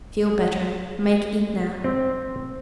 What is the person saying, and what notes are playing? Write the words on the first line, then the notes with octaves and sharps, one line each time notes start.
"Feel better, make eat now."
C4